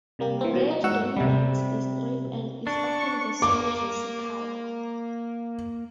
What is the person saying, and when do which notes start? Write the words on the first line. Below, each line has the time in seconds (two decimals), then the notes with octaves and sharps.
Red dominates the strip and is often the sole jersey colour.
0.19 C3 G3 A#3 G4
0.41 E3 C4
0.54 B2 F#3
0.71 D#4
0.84 G#2 F#3 F#4 F#5 E6 C#7
1.17 C3 G3
2.67 D4 C#6
3.42 A#3 D6